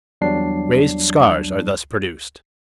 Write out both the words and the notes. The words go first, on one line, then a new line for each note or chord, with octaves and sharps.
Raised scars are thus produced.
E2 F#3 G3 D4 C7